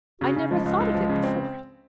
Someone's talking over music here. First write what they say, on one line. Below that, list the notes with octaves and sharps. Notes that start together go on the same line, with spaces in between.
I never thought of it before.
C#3 F#4
C#3 C#4
F3 G#3
C#2 G#3
C#2
F3
C#3
C4